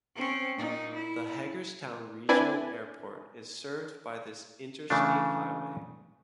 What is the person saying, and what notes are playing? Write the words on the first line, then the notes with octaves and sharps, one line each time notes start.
The Hagerstown Regional Airport is served by this interstate highway.
C4 C#4
A#2 D#4
E4
C4 D4 E4 B4 D5 G#5
C#3 E3 A3 D4